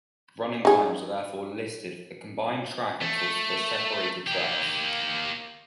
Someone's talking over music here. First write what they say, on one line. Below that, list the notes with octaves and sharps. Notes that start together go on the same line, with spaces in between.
Running times are therefore listed for the combined track and for the separated tracks.
D#4 G#4
A3
A#3 G4